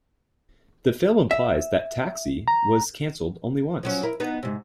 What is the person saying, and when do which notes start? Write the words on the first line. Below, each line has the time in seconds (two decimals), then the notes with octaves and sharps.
The film implies that "Taxi" was canceled only once.
1.31 E5
2.48 A#5
3.83 F3 F#3 C#4
4.03 E4 A#4
4.20 B3 D#4
4.43 G#2 C3